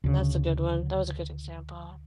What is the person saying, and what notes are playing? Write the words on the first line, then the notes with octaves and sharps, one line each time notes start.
that's a good one, that was a good example.
D2 C#3